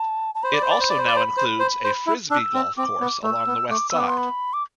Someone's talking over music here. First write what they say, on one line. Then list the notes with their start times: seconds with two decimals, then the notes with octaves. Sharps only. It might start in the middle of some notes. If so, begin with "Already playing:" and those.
It also now includes a frisbee golf course along the west side.
Already playing: A5
0.35 A5
0.43 C5 B5
0.53 D5
0.62 C5
0.70 D5
0.80 C5
0.89 D5
0.98 C5
1.07 D5
1.16 C5
1.37 C5
1.60 C5
1.84 C5
2.07 E4
2.30 D4 E6
2.54 C4
2.77 C4 D6
3.00 B3
3.23 A3 E6
3.47 B3
3.70 A3 D6
3.90 B3 E6
3.99 D6
4.08 C6
4.17 B5
4.53 D6